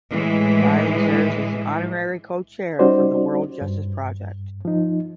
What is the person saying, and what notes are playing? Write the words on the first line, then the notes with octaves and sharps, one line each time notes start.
Riley serves as an Honorary Co-Chair for the World Justice Project.
A2 E3 G#3
G3 C#4 D#4 F#4 C5 D5
G2
F3 D#4